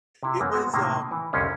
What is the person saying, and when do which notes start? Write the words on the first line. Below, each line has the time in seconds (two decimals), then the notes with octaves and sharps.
It was, um
0.23 C3 E4
0.39 F#2 E3 A#3 B3
0.52 G#3 B3 C4 F#4
0.73 A2 C3 D#3 A#3
1.11 E3
1.33 C2 F2 D3 F3 C#4 F5